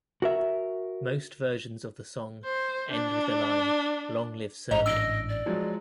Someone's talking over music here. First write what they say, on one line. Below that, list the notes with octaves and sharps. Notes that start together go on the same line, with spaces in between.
Most versions of the song end with the line "long live Serbia!".
F#4 A#4 E5
C5
D4
A1 G#2 D#5 A#5
D4 D#5 E6 D7
D5
F3 F#3 G#3